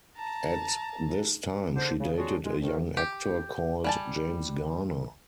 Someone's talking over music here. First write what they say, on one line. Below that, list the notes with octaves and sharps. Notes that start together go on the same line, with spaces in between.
At this time she dated a young actor called James Garner.
A5 A#5
G#2 D3 C5
C#3
C#4 D4 F4 F#4 G#4
G#3
D2 D#3
G4
G3 G#5 A5